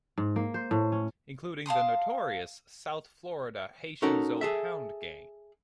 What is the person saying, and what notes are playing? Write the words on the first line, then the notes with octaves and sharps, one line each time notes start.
Including the notorious South Florida Haitian Zoe Pound gang.
G#2
A#3
C5
A2
C#4
F5 A5 C6 D#6
C#4 D#4 F#4 A4 A#4 F#5
G#4 A4 E5